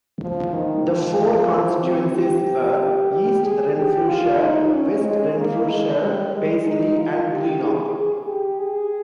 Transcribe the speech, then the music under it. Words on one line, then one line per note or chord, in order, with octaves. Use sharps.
The four constituencies were: East Renfrewshire, West Renfrewshire, Paisley and Greenock.
F3
D#3
F3
C4
G4
G4
G#4
G4
F4
D#4
C#4
G#3
A#3
G#3
G3
G#3
D#4
F4
G4
G#4
G#4
G4
G#4